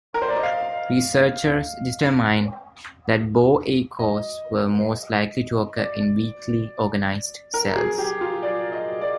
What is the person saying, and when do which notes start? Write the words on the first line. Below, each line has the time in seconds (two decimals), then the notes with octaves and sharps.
Researchers determined that bow echoes were most likely to occur in weakly organized cells.
0.14 A#4
0.22 C5
0.28 D5
0.36 D#5
0.43 F5
3.99 D#5
5.77 D5
7.54 A#4
7.76 G#4
7.98 G4
8.21 F4
8.43 D5
8.72 D#5
9.01 D5